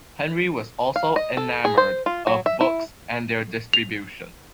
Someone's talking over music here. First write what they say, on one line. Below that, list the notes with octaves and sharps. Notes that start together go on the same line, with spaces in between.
Henry was also enamoured of books and their distribution.
F5
D#5
A4
G#4
C5
F4
F#3
E5
E4
F7